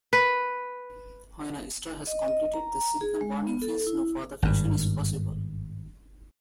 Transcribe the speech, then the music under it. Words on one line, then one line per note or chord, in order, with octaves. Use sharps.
When a star has completed the silicon-burning phase, no further fusion is possible.
B4
D#5
D#5
A#5
G#4
G#3
B3
A4
E4
G#1 G2